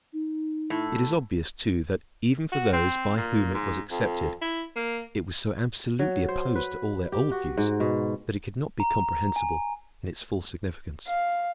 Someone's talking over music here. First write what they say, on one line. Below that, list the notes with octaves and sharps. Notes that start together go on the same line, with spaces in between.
It is obvious, too, that even for those by whom it was accepted, it was so absolutely opposed to all their old views that it could not be comprehensible in its full significance.
D#4
A2
F#4
C4
A#2
G#2
F2
E4
A#3
F#3
C5
B4
G4
F#4
G#2
B2
A#5
G#5
F5